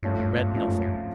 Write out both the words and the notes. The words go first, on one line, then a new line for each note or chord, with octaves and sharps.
I dread nothing.
G2 F3 A3 C#4 F4
G2
G2
G#2 F3 A3 C#4 F4
F#2
F#2